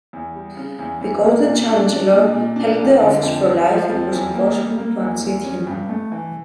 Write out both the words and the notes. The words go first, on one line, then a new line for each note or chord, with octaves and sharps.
Because the chancellor held the office for life, it was impossible to unseat him.
E2
G3
C#3
E2
E2
A#3
A#2
D4
D4
A#2
A#2
D4
F2
D3
F2
F3
F3
F2
E2
A#3
G3
A#3
E2
E2
C#4
G2
A3
E3